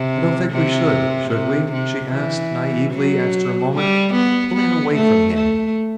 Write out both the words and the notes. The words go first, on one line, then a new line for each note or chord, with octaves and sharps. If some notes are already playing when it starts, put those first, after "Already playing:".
"I don't think we should, should we?" she asked, naively, after a moment, pulling away from him.
Already playing: C3
C3
C3
C3
E3
F#3
G3
B3
B3
A3
A3